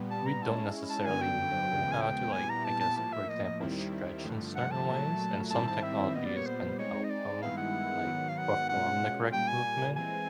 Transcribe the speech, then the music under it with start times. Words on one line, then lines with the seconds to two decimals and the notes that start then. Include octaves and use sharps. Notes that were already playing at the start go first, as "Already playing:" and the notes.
we don't necessarily know how to, like, I guess, for example, stretch in certain ways, and some technologies can help them, like, perform the correct movement.
Already playing: A#2 G3 B3
0.11 A5
0.26 A#5
0.42 G#3 C#4 E4 A5
0.89 A5
1.05 G2 D3 F#3 B3 G#5
1.22 G5
1.69 D#2 C#3 F3 G#3 B3
1.92 G#5
2.02 G5
2.33 A#2 G3 B3 E4 G4 G#5
2.49 A#5
2.64 A5
2.80 A5
2.97 A2 F3 A#3 A5
3.13 E5
3.29 D#5
3.44 D#5
3.60 D#2 D#3 G3 C4 E4
4.23 G2 D3 F3 A3
4.55 F#5
4.71 A5
4.88 A#2 F#3 A3
5.50 G#2 D#3 G3 C4 E4 A5
5.67 A5
5.83 E5
6.15 A#2 G3 B3 D#5
6.25 D5
6.36 C#5
6.47 C5
6.78 G#3 C4 D#4 C#5
7.04 D#5
7.10 D5
7.42 G2 D#3 G#3 B3 E4 F5
7.57 F#5
8.05 G#2 D#3 F#3 B3
8.29 F5
8.38 F#5
8.69 B2 G#3 C#4 F4 F#5
9.32 A#2 G3 A#3 G5
9.48 G#5
9.96 E3 G#3 C4 G#5